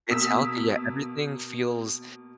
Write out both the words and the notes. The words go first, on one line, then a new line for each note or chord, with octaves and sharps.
it's healthy, yeah, everything feels
B2 A#3 D#6 E6 B6